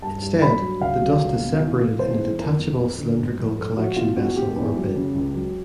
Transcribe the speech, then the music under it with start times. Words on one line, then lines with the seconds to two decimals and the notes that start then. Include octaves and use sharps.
Instead, the dust is separated in a detachable cylindrical collection vessel or bin.
0.02 G2 A5
0.22 G2
0.42 G2 B5
0.61 F#3
0.81 C#2 F5
1.01 F#3
1.20 C#2
1.40 B2
1.60 E3
1.79 C3
1.99 E2 C5
2.19 E3
2.39 F2 A#4
2.59 F2
2.78 F2
2.98 D3
3.19 G#2
3.38 F3
3.58 G#2 A4
3.77 F3 F#4
3.96 B2 F4
4.16 E2 F#4
4.36 B2 G4
4.56 E2
4.76 F#3
4.95 C#3
5.15 C#2
5.35 F#3